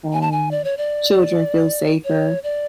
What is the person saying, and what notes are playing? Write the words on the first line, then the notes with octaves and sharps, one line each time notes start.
um, children feel safer.
G#5
A5
G#5
D5
C#5
D5
C#5
D5